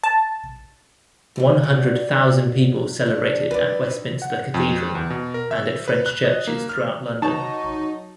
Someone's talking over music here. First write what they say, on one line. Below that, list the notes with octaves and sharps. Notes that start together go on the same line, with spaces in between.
One-hundred thousand people celebrated at Westminster Cathedral, and at French churches throughout London.
A5
A2 E3 G3
F#3 D5
D4
D3 D#3 B4 D5
F#5
F2
E2
B2
A#4
E5
B4
F#6
D#5
A#3
F6
F#3 D#4 A5 C#6